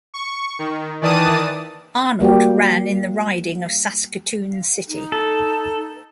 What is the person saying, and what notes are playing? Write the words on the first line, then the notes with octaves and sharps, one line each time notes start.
Arnold ran in the riding of Saskatoon City.
C#6
D#3
D#3 E3 D5 A5 D#6 D#7
G3 A#3 F#4 G4
D#4
A4